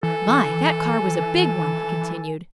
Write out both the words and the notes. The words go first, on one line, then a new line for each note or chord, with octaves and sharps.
"My, that car was a big one," he continued.
E3 A4 G#5